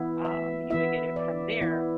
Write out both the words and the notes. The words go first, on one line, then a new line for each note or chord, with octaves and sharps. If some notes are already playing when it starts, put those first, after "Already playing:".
um, you would get it from there
Already playing: E3 B3 E4
E5
E3 B3 E4 E5
D5
E3 B3 E4